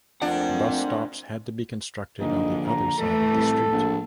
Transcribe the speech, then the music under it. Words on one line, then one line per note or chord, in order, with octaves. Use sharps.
Bus stops had to be constructed on the other side of the street.
F2 G#2 A3 A#3 C4 D4 F#5
A#1 D3 D#4
A#5
A2 E3 A3 A4
C2
A#1